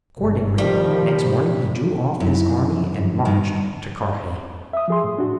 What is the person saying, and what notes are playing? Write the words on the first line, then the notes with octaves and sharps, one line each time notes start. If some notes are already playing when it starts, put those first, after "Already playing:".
Accordingly, next morning he drew off his army and marched to Carhaix.
G1
D#3 F3 G3
B2
F#2 C4 D#4 E4
D3 F3
G2 D#3
E5 D#6
F3 G#4 C6
A2
D4 F#4